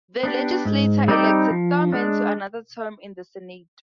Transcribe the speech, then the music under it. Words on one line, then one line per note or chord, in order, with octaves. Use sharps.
The legislature elected Thurman to another term in the Senate.
B3 D4 G4
G#2
G3 C4 D#4 G4
F3
G#3 D4